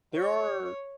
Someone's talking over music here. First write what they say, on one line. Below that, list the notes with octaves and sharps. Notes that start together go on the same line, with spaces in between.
There are
C#5